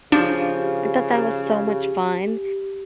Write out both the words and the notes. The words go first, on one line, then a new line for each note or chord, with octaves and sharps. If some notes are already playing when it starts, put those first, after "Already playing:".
I thought that was so much fun,
C#3 F3 D4 G4